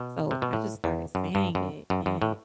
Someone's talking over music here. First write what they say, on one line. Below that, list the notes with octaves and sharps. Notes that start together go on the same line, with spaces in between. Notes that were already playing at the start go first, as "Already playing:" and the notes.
So I just started saying it, and
Already playing: B2
C3
B2
A2
E2
F#2
G2
F#2
F#2
F#2
A2